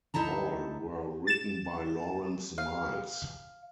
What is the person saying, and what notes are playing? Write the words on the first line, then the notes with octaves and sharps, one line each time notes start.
All were written by Lawrence Miles.
D2 D#4 E4 A5 A#5
A6 E7
F5